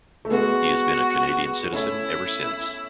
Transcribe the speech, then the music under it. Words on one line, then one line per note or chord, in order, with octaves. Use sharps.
He has been a Canadian citizen ever since.
A3
G#3 B3 F#4
A3 C#4 E4